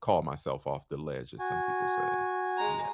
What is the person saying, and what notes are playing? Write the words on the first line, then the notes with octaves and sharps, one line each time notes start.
call myself off the ledge as some people say. Yeah.
F#4 G#5
G#3 A#5